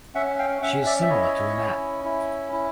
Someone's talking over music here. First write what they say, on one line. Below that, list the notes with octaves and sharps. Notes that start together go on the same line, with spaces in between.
She is similar to Anat.
C#4 E5 F#5
F5 G5
C#4 E5 F#5
D5 E5
E5
E4 C#5 D#5
C#4
E4
E4